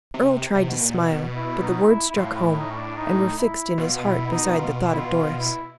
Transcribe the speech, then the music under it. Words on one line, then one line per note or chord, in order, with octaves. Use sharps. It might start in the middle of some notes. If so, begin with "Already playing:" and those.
Earle tried to smile, but the words struck home, and were fixed in his heart beside the thought of Doris.
C3
C3
B2
A#2
B2
E4
D#4
E4
E4
A2 F4
E4
D#4
C#4
D4
D#4
E4
B2 F4
E4
E4
D#4
F4
F4
E4
F4
E4